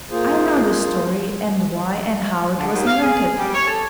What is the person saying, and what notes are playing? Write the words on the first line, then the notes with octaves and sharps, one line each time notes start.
I know the story and why and how it was invented.
A#3 F4 G#4 C5
D3
D#2
F5
G#4
G3
C#5
A4